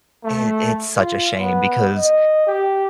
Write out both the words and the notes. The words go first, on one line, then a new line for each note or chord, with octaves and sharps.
It it’s such a shame because,
A3
F4
B3
D#5
G4